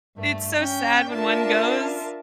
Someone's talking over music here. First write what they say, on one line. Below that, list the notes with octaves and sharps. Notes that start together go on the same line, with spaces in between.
It's so sad when one goes,
G2 A3
C#4 G5
D4 F4 A#4 E5 A5